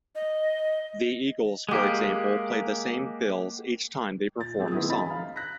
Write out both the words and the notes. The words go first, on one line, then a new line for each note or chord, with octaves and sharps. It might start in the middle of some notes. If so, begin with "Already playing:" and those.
The Eagles, for example, play the same fills each time they perform a song.
D#5
G#3 A#3 G4 F#5
A#2 A6
F#3 A3 C4 G4 G#4
D#3 F#3 B3 E4 G#4 D#6
C4 C#4 D#5 B5 A6
F5 A#5 B5
F#6 A#6 B6